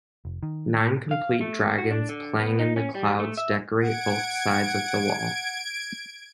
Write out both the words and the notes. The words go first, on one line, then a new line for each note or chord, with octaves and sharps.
Nine complete dragons playing in the clouds decorate both sides of the wall.
F1
D#3
F5
A3
F#4
D4
D3
B3
D#4
C#4
G3
A3
E5
F#5 G#6 D7